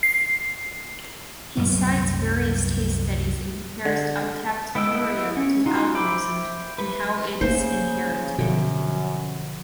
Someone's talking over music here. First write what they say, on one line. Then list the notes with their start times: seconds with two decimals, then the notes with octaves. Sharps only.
He cites various case studies and compares alkaptonuria to albinism in how it's inherited.
0.03 C7
1.57 C2 F#2 F#3 A3
3.85 D3
4.75 B3 E4 D#5 G5 E6
5.37 C#4
5.66 D#4 F4 F#4
5.95 C5 E5 G5 B5 D6
6.78 B4
7.41 C#3 A3 A#3 C5
8.38 F#2 B2 D3 F3